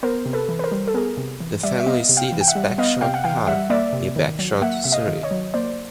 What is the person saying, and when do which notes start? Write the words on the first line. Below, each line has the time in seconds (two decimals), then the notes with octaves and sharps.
The family seat is Bagshot Park, near Bagshot, Surrey.
0.03 B3 A#4 C5
0.26 C3
0.33 A4 B4
0.49 E3
0.59 B4
0.64 A#4 C5
0.72 G3
0.88 A4
0.94 B3 G#4 A#4
1.18 C3
1.40 E3
1.63 G3 D5 E5
1.80 E5
1.86 B3 D#5 F5
2.09 C3
2.17 F5 G5
2.32 E3
2.41 G5
2.48 E5 F#5
2.55 G3
2.78 B3 D#5 F5
3.01 C3 F5 G5
3.14 F#5
3.24 E3 F5 G5
3.47 G3 E5 F#5
3.70 A#3 D5 E5
3.93 C3
4.16 D#3
4.39 F#3
4.62 A#3 E5 F#5
4.84 C3 E5
4.92 D#5 F5
5.08 D#3
5.23 C#5 D#5
5.31 F#3
5.54 A#3 C5 D5